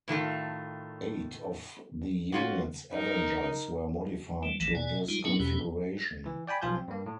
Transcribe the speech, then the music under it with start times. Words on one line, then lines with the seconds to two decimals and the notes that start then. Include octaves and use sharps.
Eight of the unit's Avengers were modified to this configuration.
0.08 A2 D#3 A3 F4
2.32 C#4 F4 F#4
2.93 D#4 A#4
4.43 G3 A3
4.60 A#1 D#3 E3 A3
4.75 B2 D5 G#5
5.08 G3 G#3 D#4 F4
5.25 F#3 B3 C#4 D4 E4 G#4
5.40 E2 B2 C#4 G4
6.26 E3
6.47 D5 G5 G#5 B5
6.62 B1 F3 F4 G#5 G6
6.76 C4
6.88 G2 A#3
7.06 A2